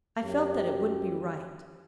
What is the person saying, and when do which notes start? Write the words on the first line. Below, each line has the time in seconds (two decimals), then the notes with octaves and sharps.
I felt that it wouldn't be right.
0.23 F#2 G4